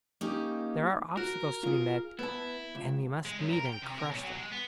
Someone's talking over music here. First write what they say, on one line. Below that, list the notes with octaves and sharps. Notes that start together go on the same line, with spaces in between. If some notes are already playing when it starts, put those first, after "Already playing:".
There are obstacles to be met, and we must meet, and crush them!'
A#3 C#4 D#4 G4
F#4 A#4
F4 G#4
B3 E4 A5
C#2
G#3
F#2
A#4
G5
C3
A#4
B1
F#3
G#3
B3